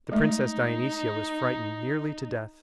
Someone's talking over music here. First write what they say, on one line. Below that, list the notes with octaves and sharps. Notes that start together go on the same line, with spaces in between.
The princess Dionysia was frightened nearly to death.
G#3 A3 D#4